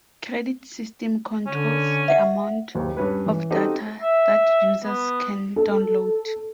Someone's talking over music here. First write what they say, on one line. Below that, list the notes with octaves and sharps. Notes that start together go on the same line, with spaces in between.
Credit system controls the amount of data that users can download.
D3 C#4
E5 F#5
F#1 D#2
G2 C#4 B4
E3
C4 C#4 D#4 F#4 G4 A4
E5
B3
A4